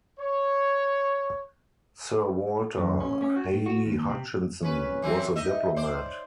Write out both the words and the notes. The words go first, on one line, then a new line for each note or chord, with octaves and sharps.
Sir Walter Hely-Hutchinson was a diplomat.
C#5
F#2
C#4
C#4
F#4
A2
F#4
D#2
C3
C#4 B4
E3 F#3 C4
D#4 D#5 E5
C5 D5